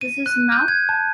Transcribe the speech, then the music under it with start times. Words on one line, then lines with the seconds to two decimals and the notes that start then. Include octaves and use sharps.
This Is Now.
0.01 D#7
0.26 F#6
0.52 G6
0.68 G#6
0.89 A5